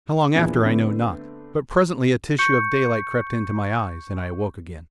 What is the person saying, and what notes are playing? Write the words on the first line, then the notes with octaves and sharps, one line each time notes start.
How long after I know not, but presently a tissue of daylight crept into my eyes, and I awoke again.
E2 A#2 E3 F3 A#3 D4
D3 A3 B3 C4 D4
C#6 G6 C#7